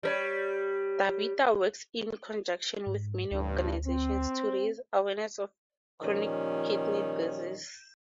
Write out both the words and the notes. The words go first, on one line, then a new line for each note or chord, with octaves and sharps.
DaVita works in conjunction with many organizations to raise awareness of chronic kidney disease.
G3 A#4 C#5
G#2
A1 D2 G2
C4
A#2 D#3 F3 G3 C#4